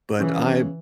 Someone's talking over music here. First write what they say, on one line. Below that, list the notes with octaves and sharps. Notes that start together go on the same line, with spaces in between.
But I
C#3 E3